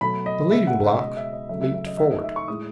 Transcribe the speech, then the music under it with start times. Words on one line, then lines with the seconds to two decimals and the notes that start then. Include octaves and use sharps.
The leading block leaped forward.
0.01 B2 F#3 A3 B5
0.26 D#5
0.51 C#3 G#3 E5
0.67 F#5
0.83 F#5
1.00 B2 G#3 D#5
1.17 E5
1.33 D#5
1.49 C#3 F#3 A3 E5
1.61 E5
1.74 E5
1.86 D#5
1.98 D#3 A3 E5
2.11 D#5
2.24 E5
2.36 C#6
2.48 A2 G#3 D#6